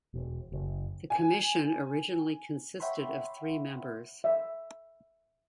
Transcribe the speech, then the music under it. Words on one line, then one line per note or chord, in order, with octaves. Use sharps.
The Commission originally consisted of three members.
E1
F#1
G#5
C#5 E5 F#5 G5 B5 C6
E5